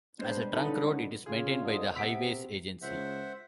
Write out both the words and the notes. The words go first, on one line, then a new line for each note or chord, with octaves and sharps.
As a trunk road it is maintained by the Highways Agency.
G3 G#3 B3 D4 C5
C#2 D3 D#4 A4 B4
C#3 F4 G#4
C2 D3 D#5
C3 B3 E6 B6 D7
C#2 C5 E5 F#5